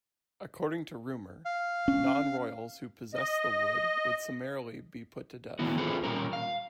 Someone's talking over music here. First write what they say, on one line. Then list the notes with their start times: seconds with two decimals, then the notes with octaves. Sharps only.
According to rumor, non-royals who possessed the wood would summarily be put to death.
1.45 F5
1.88 C#4
3.14 D#5
5.59 A2 D#3 B3 E4 F#4
5.77 C4 F4 G#4 A4 B4 C5
6.04 A#2 G3 C#4 A#4
6.33 F5